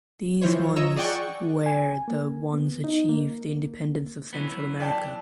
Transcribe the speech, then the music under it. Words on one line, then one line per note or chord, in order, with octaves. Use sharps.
These ones where the ones achieve the independence of Central America.
E3 F3 E4 F4 C5 C#5
F4 C#5 D#5 A#5 E6
G#4 D5 F#5 G5 C#6
G#5
A#3
B3
D#4
A#3
E3 F#3 B3
D5 G5 A5